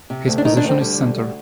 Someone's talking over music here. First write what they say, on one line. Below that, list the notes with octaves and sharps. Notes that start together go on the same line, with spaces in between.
His position is centre.
C3
D2
D4
D#3 D#4
D4
D2
C4
D3 G3
D2
D2